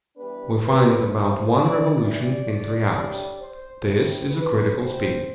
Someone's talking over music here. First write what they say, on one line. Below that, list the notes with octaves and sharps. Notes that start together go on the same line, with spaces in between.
We find it about one revolution in three hours. This is a critical speed.
E3 G3 B3 D4 B4
B4
E3 A3 D4 C5
D5
E3 G3 D4 D5
A2 G3 D4
C5
A2 G3 D4 C5
B4
A2 G3 B3 C5